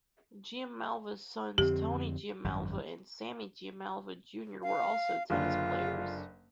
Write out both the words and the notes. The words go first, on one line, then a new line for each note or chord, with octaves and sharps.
Giammalva's sons, Tony Giammalva and Sammy Giammalva, Junior were also tennis players.
F2 D3 C4 G4
G#1 F#2 G3
F5
F#1 D3 F4